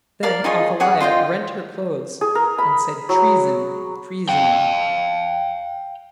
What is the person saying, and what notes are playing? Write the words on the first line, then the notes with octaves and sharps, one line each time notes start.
Then Athaliah rent her clothes, and said, Treason, Treason.
A#4 D5 F5
D#4 F4 G#4 C#5
G#4 C#5 F#5 D6
F4 C5 D#5 G5
G#4
A#4
B5
F#3
F5 G5